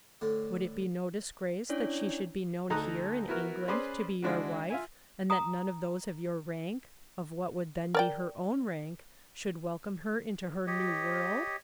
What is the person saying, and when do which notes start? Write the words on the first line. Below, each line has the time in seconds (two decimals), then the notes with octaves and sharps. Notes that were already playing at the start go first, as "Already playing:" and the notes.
"Would it be no disgrace that she should be known here, in England, to be your wife, and that none of those of your rank,--of what would then be her own rank,--should welcome her into her new world?"
0.21 A2 D3
1.69 C#4 D4 E4 C#5 D5
2.70 D2 D#4 A4 A#5 D#6 F#6
3.28 B3 E4 F#4 A#4
3.68 C#4 G#4 B4 C5 D5
4.22 D3 G#3 D4 E4 F#4
4.70 F4 E5 G#5
5.30 A#5 D#6
7.95 A#4 D5 G5
10.67 G4 C#5 D#5